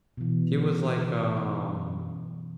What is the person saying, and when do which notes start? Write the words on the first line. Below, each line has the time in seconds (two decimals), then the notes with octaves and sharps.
he was like, um,
0.17 B2 E3